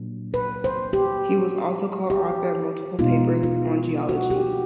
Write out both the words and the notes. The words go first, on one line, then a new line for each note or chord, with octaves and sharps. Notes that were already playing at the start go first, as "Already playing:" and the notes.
He was also co-author of multiple papers on Geology.
Already playing: A#2 F#3 A#3 D4
B4
C5
G4
G4
B2 G#3 B3 D#4 F4
F4
F#4
G4